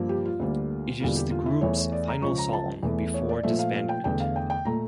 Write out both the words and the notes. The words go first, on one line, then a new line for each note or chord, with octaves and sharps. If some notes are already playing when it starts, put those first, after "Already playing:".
It is the group’s final song before disbandment.
Already playing: G2 F3 A#3
G4
F4
D2 D3 G3 A#3
E2 D3 G3 A#3 F4
G4
F4
E4
E2 E3 A3 C#5
C#5
D5
A#5
C#2 C#3 F3 C#6
A#5
A5
E2 E3 A3
C#5
D5
A#2 F3 A3 E5
F5
F5
G5
E2 D3 A3 G5
F5
G5
G5
A#2 A3 A#5